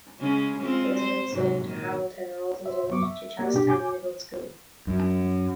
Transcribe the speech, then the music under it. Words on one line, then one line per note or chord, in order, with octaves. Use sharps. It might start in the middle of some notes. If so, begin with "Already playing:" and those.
Residents zoned to Hamilton are also zoned to Chastang Middle School.
C#3 G#3 C#4
G#3 C4 F4
C5
G#2 C3 F#3
A#2 D#3
C5 E5
F2 F#3 B3 C#6 D6
E5
A#3 G4 D5
B2 D4 G4
G#5 D6 G6
F#2